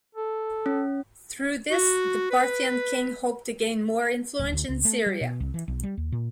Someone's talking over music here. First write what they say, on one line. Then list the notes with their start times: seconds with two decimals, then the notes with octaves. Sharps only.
Through this the Parthian king hoped to gain more influence in Syria.
0.15 A4
0.66 C#4
1.70 F#4
2.31 B4
4.39 D1
4.53 D2
4.69 C#2
4.85 A3
5.06 G3
5.21 B2
5.40 C2
5.54 E3
5.68 B1
5.83 G3
5.97 D#2
6.12 A#2